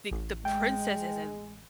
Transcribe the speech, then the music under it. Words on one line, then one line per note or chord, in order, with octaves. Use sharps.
the the princess is in
A1
G#3 G5